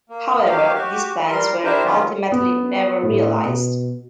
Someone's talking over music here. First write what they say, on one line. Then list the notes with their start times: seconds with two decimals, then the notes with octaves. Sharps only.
However, these plans were ultimately never realised.
0.10 A#3
0.44 D#3 F#3 G4 F5
0.75 F#4 G4
1.28 G3 A#4 C6
1.64 D4 E4 G4 A#4 C5 E5
1.84 D#3 F#3 B3 C#4 F4
2.32 B3
3.03 A2
3.45 B2